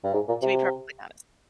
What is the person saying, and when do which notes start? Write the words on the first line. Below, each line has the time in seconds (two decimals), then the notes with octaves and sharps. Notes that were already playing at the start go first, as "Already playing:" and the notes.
to be perfectly honest.
0.04 G2
0.13 G#2
0.28 A#2
0.42 C3